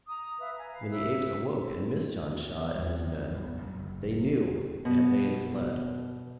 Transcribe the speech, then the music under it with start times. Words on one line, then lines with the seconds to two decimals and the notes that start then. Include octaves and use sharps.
When the apes awoke and missed Janshah and his men, they knew that they had fled.
0.07 A#5 D#6
0.39 B4 E5 F5
0.56 G#5 A#5
0.72 B4 F5
0.91 E5 E6
2.75 E2 G3
3.03 D#3
3.34 A1 F2 G3 B3
3.61 F#2 A#2 C#3
3.79 F#1
4.85 B2